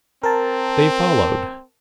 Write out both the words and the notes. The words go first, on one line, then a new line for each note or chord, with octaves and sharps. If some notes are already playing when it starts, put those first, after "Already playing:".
They followed.
C4 A#4 A5